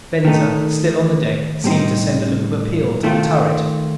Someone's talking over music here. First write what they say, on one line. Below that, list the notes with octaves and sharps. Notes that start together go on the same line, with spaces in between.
Venza, still on the deck, seemed to send a look of appeal to the turret.
D#3 A3 D#4
A2 G3 C4 D#4
D#3 A3 C4 F4